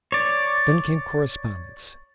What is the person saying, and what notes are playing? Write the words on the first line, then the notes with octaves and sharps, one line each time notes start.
Then came correspondence.
C#5 D5